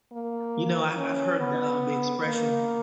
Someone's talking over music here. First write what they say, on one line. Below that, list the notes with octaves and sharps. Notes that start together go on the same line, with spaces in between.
You know, I've I've heard the, um the expression
A#3
C#4
B3
A#3